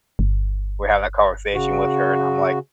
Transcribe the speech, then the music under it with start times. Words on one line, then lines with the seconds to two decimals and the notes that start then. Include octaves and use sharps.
we had that conversation with her and I'm like,
0.19 G1
1.55 C#3 F#4